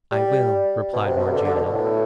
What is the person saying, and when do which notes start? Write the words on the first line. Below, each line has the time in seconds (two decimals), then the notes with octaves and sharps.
"I will," replied Morgiana.
0.12 G3
0.93 B2
1.06 C3
1.18 B2
1.28 C3
1.34 D3
1.45 D3
1.55 B2
1.65 B2
1.75 A2